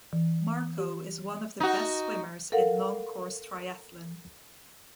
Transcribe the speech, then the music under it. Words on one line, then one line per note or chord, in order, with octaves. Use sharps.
Marko is one of the best swimmers in long course triathlon.
E3
G4
D#4 F#4
A4 A#4 F5 F#5